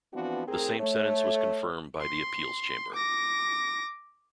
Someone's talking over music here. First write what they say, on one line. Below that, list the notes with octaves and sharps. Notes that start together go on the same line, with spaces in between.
The same sentence was confirmed by the appeals chamber.
E3 F3 B3 C4 D4 F#4
A2 C4 G#4 A#4
A3 C#5
C6
D6 A#6